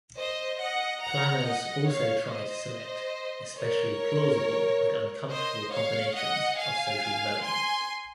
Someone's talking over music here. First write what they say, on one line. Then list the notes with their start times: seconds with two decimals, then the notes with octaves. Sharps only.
Planners also try to select especially plausible but uncomfortable combinations of social developments.
0.18 C5 D#5
0.61 D#5 F#5
1.03 F#5 A#5
1.46 D#5 F#5
1.89 C#5 F5
2.31 C5 D#5
3.59 A#4 C#5
5.30 C5 D#5
5.72 C#5 F5
6.15 D#5 F#5
6.58 F5 G#5
7.43 G#5 C6